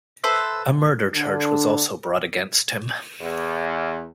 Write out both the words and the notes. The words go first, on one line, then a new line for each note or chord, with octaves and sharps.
A murder charge was also brought against him.
A4 B4 C5 E5
D3 D4
E2